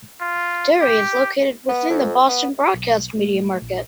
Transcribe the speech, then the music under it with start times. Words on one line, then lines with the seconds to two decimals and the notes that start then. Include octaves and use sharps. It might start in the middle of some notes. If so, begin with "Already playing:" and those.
Derry is located within the Boston broadcast media market.
0.21 F4
0.81 G4
1.69 B3
1.90 F2
2.29 B3
2.74 B1
3.19 A3
3.62 A#1